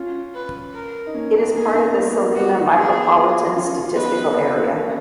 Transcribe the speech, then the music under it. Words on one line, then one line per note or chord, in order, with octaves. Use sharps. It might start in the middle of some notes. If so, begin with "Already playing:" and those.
It is part of the Salina Micropolitan Statistical Area.
Already playing: C#4 F4
B4
A#4
D#4
A#3 C#4
B3
A#3 C#4 G#4
B3 D#4
A#3 C#4
B3
A#3
B3 F#4
B3 D#4
G#4
F4 G#4
C#4 F4
F4
B3 D#4 B4
B3 D#4
A#3 C#4
A#3 C#4